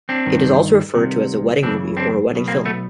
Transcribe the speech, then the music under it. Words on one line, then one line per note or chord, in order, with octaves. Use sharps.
It is also referred to as a wedding movie or a wedding film.
C4 D4
G2 D#3
C2 C3 D#3
F#2 C#3 E3 C4 D4
C4 D4
B1 B2
A#3 C4
A3 B3